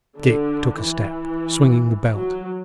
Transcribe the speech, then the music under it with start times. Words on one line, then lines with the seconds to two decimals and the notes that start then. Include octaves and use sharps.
Dick took a step, swinging the belt.
0.18 D3
0.83 E3
2.15 F#3